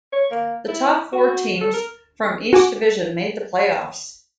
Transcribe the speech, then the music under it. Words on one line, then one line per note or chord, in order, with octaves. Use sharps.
The top four teams from each division made the playoffs.
C#5
A#3
E4
F#4
A4
A#4
F#4 G#5 D6